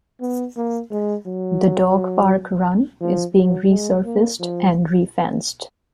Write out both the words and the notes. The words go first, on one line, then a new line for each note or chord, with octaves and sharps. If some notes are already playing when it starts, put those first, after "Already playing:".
The dog park run is being resurfaced and re-fenced.
B3
A#3
G#3
F#3
F3
F#3
G#3
A#3
F3